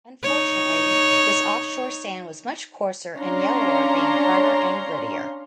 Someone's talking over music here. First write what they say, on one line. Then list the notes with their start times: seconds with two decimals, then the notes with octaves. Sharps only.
Unfortunately this off shore sand was much coarser and yellower being harder and grittier.
0.23 D#4 C#5
3.17 C#4 D4 C#5 F5 A#5 C6